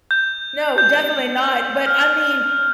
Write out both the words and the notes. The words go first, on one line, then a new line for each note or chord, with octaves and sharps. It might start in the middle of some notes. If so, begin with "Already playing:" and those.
No, definitely not, but, I mean,
G6
G6
F6